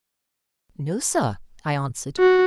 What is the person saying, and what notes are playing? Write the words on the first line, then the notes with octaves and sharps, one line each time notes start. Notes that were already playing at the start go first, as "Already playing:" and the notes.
"No, sir," I answered.
F#4